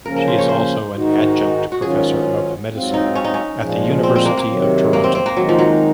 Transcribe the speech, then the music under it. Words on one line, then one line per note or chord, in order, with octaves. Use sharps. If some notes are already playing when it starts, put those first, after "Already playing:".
She is also an Adjunct Professor of Medicine at the University of Toronto.
C#3 F3 A#3 C#4 A#4
A#4
C5
C#5
C5
G#2 D#3 G#3 D#4 F#4
F#4
G#2 D#3 F#3 C#4 F4 G#4
G#2 F#3 C4 F4
D#4
C#4
D#4
C#4
A#2 F3 G#3
C4
C4
A#3
A#3
C3 D#3 F#3
A#3
C4
C4
A#3
D#3 F#3 G#3 D#4
F3
F#3